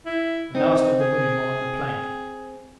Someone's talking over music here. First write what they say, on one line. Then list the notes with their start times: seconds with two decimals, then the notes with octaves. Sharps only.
The last of the women were on the plank.
0.06 E4
0.55 C4 D#4
1.00 G#4